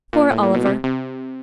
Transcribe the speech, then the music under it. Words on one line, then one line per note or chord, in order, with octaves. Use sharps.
Poor Oliver!
A#2
A2
A#2
B2
C3
C3